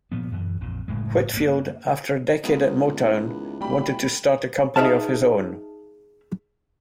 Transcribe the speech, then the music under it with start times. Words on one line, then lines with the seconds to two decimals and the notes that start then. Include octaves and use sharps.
Whitfield, after a decade at Motown, wanted to start a company of his own.
0.12 A#2 F3 B3
0.31 F#2 E3
0.61 A#1 F2 A#2
0.88 F#1 A2 G#3
1.33 G2 A#3
2.44 C#2 A#3 B3 D#5
3.01 D#4 E4 B4
3.61 D1 G3 A3 F#4 G5 B5
4.76 D#4 G#4 E5 F5 A5